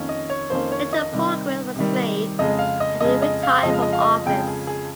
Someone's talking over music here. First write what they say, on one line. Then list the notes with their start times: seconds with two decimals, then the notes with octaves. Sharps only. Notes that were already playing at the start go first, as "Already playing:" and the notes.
Little progress was made, and he retired from office.
Already playing: F2 D#3 A#3 C#4
0.09 D#5
0.30 C#5
0.50 F2 D#3 A#3 C#4 C5
0.72 C#5
0.93 D#5
1.13 C3 D#3 G3
1.76 C3 D#3 G3
2.39 F2 C#3 G#3 D#5
2.59 F5
2.80 D#5
3.00 F2 C#3 G#3 D#5
3.22 D#5
3.43 F5
3.63 F2 C#3 F3 G#3 D#5
3.73 F5
3.82 D#5
3.93 F5
4.01 D#5
4.26 F2 C#3 F3 G#3 G5
4.48 G#4
4.67 G#4